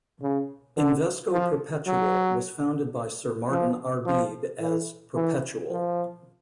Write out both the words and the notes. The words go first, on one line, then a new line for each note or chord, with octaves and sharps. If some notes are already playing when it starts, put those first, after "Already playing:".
Invesco Perpetual was founded by Sir Martyn Arbib as "Perpetual".
C#3
D3
F3
F#3
F3
F3
E3
E3
F3